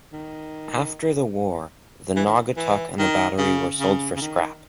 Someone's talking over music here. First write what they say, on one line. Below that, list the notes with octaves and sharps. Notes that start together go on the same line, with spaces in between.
After the war, the Naugatuck and the Battery were sold for scrap.
D#3
E3
D#3
E3
D#3
C#3
C#3
C#3
D#3